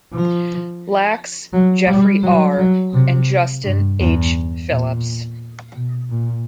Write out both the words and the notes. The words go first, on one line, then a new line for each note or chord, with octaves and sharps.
Lax, Jeffrey R., and Justin H. Phillips.
F3
F#3
G3
F#3
F#3
C3
G2
E2
A#2
B2
A#2